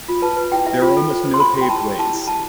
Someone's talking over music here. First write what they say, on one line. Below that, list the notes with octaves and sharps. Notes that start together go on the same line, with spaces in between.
There are almost no paved ways.
F4
B4 A5
B4
E4 G5
E4 E5
F4
A4
C5
C5
C6
C5 B5
G4
G5
E4 A5
G4
E4 A5
E4
E4 A5